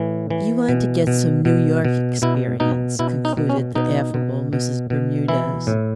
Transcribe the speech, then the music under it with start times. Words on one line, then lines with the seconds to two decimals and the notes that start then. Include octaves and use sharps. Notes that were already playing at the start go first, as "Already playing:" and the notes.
"You want to get some New York experience," concluded the affable Mrs. Bermudez.
Already playing: A2 E3
0.30 E3
0.69 B2
1.07 B2
1.45 B2
1.85 B2
2.22 B2 E4
2.60 B2 D#4
2.99 B2 E4
3.25 D#4
3.37 B2
3.50 C#4
3.75 B2 D#4
4.14 B2
4.53 B2
4.90 B2
5.28 E3 E4
5.67 A2